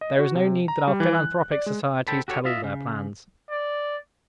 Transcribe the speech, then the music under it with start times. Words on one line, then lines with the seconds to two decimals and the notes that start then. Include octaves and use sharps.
There is no need that our philanthropic societies tell all their plans.
0.01 D#5
0.19 F#4
0.35 C3
0.68 A#5
0.87 G3
1.00 E3
1.15 F#6
1.52 D5
1.66 G#3
2.07 D3 A4 C5 G5 A5 B5
2.28 F#4 G4 A4 A#4 C#5
2.45 F4 D#5 E5
2.64 C#3
3.51 D5